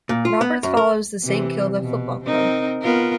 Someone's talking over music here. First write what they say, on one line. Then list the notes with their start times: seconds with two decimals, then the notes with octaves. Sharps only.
Roberts follows the Saint Kilda Football Club.
0.09 A#2
0.25 F4
0.41 B3
0.63 F#2
0.77 A#4
1.23 C3 E3
1.82 B2
2.24 C4 D#4 A#4
2.82 B3 F4 A#4